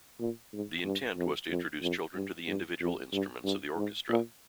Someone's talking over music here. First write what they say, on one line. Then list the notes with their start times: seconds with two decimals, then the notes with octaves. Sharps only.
The intent was to introduce children to the individual instruments of the orchestra.
0.20 A#2
0.53 G#2
0.84 G2
1.17 F2
1.50 F2
1.82 F2
2.15 G2
2.48 G2
2.80 F2
3.12 G2
3.44 G2
3.76 G#2
4.09 A#2